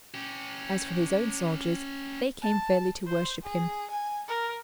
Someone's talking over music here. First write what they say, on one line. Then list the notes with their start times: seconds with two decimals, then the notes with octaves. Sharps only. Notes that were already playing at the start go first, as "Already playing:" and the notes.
As for his own soldiers, they came fairly to worship him.
0.14 C#4 G4
2.42 A5
3.07 C5
3.43 G#4
3.90 G#5
4.28 A#4